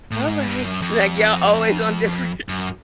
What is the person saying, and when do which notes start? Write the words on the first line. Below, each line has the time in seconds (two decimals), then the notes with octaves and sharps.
"All right," like, y'all always on different
0.11 A2
0.28 G#2
0.46 G2
0.65 F#2
0.82 F2
2.49 F#2